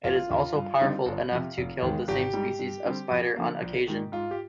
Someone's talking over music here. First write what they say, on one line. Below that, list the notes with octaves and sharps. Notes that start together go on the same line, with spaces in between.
It is also powerful enough to kill the same species of spider on occasion.
F1 F4
D#2 D3
G2
D3 G3 C4 D#4
G1
F2 C3
F1
D#2 D#3 G#3
G#1 G4
G#2 G3
G2
D3 G3 C4
F2
D3 F3 A#3
A#1
G#2 D#3 G#3
G#2 F4
G4